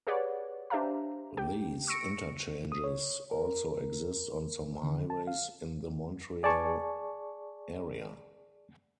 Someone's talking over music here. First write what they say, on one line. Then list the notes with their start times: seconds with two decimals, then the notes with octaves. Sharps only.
These interchanges also exist on some highways in the Montreal area.
0.07 G4 G#4 B4 C#5 D5 F#5
0.70 D4 G4 C5 E5 F5 A#5
1.37 G4 G5
1.87 C#6 E6 A#6 C#7 D7
2.72 D#6
2.84 C#5
3.31 A#4
4.83 D3
5.10 A5
5.27 F5
6.43 G#4 D5 G#5 A5 C#6